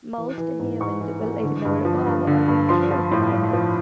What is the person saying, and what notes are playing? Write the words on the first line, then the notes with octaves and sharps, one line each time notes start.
Most humans will ignore Bob, or be intrigued by him.
E3
E3
G#2
G#2 C#6
E3
E3
D3
G2
F3
G2
D3
G2
F3 C6
F3
A2
A2
F3